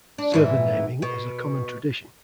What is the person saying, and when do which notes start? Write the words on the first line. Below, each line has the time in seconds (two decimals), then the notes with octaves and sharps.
Server naming is a common tradition.
0.18 D4
0.32 F2 G#2 E3
1.02 B2